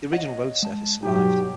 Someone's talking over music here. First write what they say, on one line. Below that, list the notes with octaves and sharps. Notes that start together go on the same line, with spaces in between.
The original road surface survived.
C#5 D#5 F#5
G#3 A5
G2 B2 F#3 D#4 G4